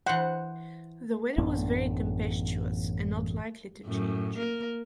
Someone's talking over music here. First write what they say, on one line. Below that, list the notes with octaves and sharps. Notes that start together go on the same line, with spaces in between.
The weather was very tempestuous, and not likely to change.
E3 C5 F#5
A1 F#2 B3 D4
F#2 A2
A#3 A#4